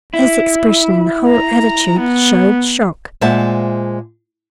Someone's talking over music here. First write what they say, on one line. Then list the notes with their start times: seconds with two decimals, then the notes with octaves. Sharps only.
His expression and whole attitude showed shock.
0.14 E4
1.30 A#5
2.00 B3
3.21 A#2 G#3 C5 E5 F#5 A5